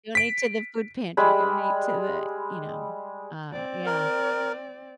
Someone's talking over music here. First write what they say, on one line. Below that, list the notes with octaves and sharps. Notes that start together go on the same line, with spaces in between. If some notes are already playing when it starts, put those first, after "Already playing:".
"Donate to the food pantry. Donate to the" you know, uh, yeah.
B6 D7
G3 G#3 B5
C4 D5
A#4